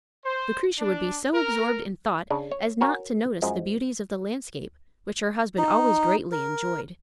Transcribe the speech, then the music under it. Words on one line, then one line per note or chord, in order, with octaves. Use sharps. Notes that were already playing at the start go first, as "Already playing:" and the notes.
Lucretia would be so absorbed in thought as not to notice the beauties of the landscape, which her husband always greatly enjoyed.
C5
D4
A#4
C#3 D4
C#5
F#4 A#4 C#5 G#5
F#2 F3 G#3
D#4
A#4